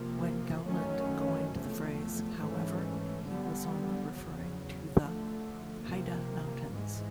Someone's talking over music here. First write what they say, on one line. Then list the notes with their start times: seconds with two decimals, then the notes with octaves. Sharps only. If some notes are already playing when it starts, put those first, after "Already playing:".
When Gowland coined the phrase, however, he was only referring to the Hida Mountains.
Already playing: C3 F3 A#3
0.66 F#2 D#3 F#3 A3 C#4
1.52 E2 C3 F3 A3
2.38 G#2 E3 A3 C#4
3.24 D3 G3 B3
4.11 E2 C#3 F#3
4.97 D3 F3 A3
5.83 C3 F3 A#3
6.69 G#2 E3 G#3